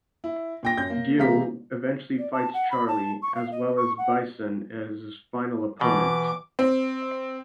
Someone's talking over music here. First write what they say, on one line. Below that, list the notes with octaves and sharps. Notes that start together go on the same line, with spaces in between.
Guile eventually fights Charlie, as well as Bison as his final opponent.
E4
A#2 G5 A#6
F#2 G6
A#3
C3 E3 G#3 F5 A#5 B6
D5
A5
F#5
B5
A5
C#6
F5
D#5
C#6
F#5
B2 E3 D6
C4